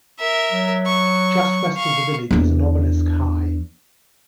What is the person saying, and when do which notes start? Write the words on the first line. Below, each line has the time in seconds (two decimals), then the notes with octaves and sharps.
Just west of the village is an obelisk high.
0.19 A#4 E5
0.52 F#3
0.86 C#6
1.76 F5 C#6
2.31 E2 D4